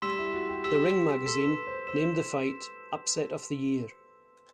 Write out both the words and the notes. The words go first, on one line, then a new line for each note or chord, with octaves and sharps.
"The Ring" magazine named the fight Upset of the Year.
G3 C6 E6 B6 E7
E4
F#4
G4
G4 C6 E6 B6 E7
A4 C6 E6 B6 E7
B4
C5
C5 C6 E6 B6 E7